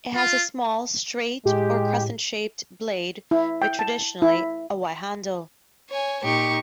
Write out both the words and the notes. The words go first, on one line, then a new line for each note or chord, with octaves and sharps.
It has a small, straight or crescent-shaped blade with traditionally, a white handle.
F4
A2 G#3 G4
E4
G5
A5
E4
C#5 G#5
A#2 D#4 G4 C#6